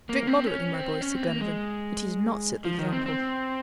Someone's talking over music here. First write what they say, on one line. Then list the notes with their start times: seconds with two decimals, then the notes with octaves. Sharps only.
"Drink moderately, my boy," said Glenarvan; but he did not set the example.
0.09 A#3
0.27 C4
0.46 C#4
0.74 C4
1.01 C#4
1.15 C4
1.27 A#3
1.41 G#3
2.65 F3
2.79 D#3
2.92 C4
3.06 C4